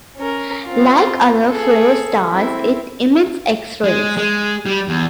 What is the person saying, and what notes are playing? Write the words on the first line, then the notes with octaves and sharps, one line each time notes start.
Like other flare stars, it emits X-rays.
C#4 A#4
C4 F4
G#4 A4
C4 E4
G#3
G#3
G3
E2